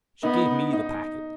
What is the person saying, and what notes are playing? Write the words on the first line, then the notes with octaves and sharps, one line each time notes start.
She gave me the packet.
B3 D#4
D#4